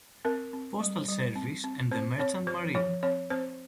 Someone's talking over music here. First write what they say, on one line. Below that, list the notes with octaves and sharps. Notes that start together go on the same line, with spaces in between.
Postal Service and the Merchant Marine.
C4 A#4
C4
G3
G3
C4
C4
C4 C5
C4 C#5
F3 C5
F3 C#5
C4 C#5
C4 C5